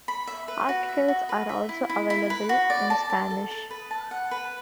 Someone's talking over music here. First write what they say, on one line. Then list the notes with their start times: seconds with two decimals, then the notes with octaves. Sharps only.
Articles are also available in Spanish.
0.08 B5
0.27 E5
0.48 B4
0.69 F#4
0.89 E5
1.08 F#4
1.29 B4
1.49 E5
1.69 E4
1.90 E4
2.10 E4
2.30 B4
2.49 F#4
2.70 D5
2.90 A5
3.10 A5
3.30 A4
3.51 A4
3.71 B4
3.91 A5
4.11 F#5
4.31 B4